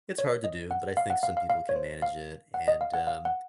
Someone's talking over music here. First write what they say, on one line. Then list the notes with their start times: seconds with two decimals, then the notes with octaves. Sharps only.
It's hard to do, but I think some people can manage it, and, um,
0.18 C#5
0.44 D#5
0.71 F#5
0.97 F5
1.10 F#5
1.23 F5
1.37 F5
1.50 F5
1.69 C#5
1.76 C5
2.02 F5
2.54 F#5
2.68 D#5
2.81 F5
2.94 F#5
3.07 F5
3.25 F#5